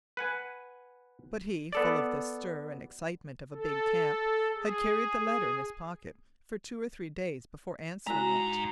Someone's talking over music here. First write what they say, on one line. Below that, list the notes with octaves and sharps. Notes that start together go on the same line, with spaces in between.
But he, full of the stir and excitement of a big camp, had carried the letter in his pocket for two or three days before answering it.
B4 F#5 G#5
B3 A4 D5
A4
G#4
G#2 G#3 E4 F#4 A#5